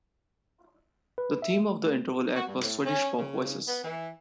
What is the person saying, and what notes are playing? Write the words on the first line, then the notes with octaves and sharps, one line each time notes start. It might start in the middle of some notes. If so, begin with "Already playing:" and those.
The theme of the interval act was "Swedish Pop Voices".
B4
E5
A3
F#4
G2
A2
C#4
C#3
B3
E3